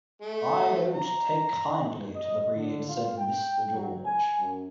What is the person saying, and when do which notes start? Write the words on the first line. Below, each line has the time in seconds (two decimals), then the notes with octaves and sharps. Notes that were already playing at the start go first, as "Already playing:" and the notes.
"I don't take kindly to the breed," said Mr. George.
0.22 A3
0.95 A#5
2.15 D#5
2.55 D3
2.88 F4
3.18 G5
3.74 F#3
4.06 G#5
4.39 F#2